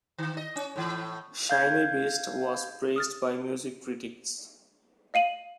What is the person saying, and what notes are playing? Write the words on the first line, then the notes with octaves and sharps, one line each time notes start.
"Shiny Beast" was praised by music critics.
D#3
D#5
C#4
A2 E3
F5 G6 G#6
D#6 F6 A6
D#5 F5 D#7 F#7